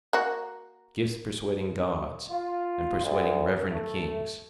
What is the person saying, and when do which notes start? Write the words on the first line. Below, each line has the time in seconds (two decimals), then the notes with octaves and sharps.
'Gifts persuading gods, and persuading reverend kings.'
0.13 A#3 F#4
2.30 F4
3.03 D2
3.70 A3